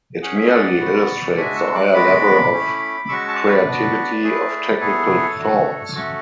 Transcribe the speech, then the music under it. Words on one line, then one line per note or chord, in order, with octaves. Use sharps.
It merely illustrates the higher level of creativity of technical thoughts.
C#4 G#4 F#5
E5
D5 F#5
B3 F#4
G#3 D4 F#4 E5 G#5
C#6 E6
D6 F#6
G#3 B3 F#4 B5 D6
A3 C#4 E4
G#3 C#4 F#4 C#6 E6
A5 C#6
B4 D5
B3 D4 F#4
A3 E4 G#4
B3 E4 G#4 A4 C#5
A3 D4 F#4
A3 C#4 F#4 A4